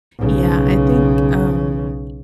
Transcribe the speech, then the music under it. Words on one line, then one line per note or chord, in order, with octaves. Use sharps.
Yeah, I think, um,
B1 C#3